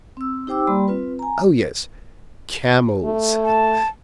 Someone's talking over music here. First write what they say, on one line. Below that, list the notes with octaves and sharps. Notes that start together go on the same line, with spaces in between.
Oh yes, camels.
C4 E6
D#4 G4 C5 G5 D6 E6
G3 A#3 G4 D5 B5 C6
C4 F4 B4
G#5 A#5
A3
A5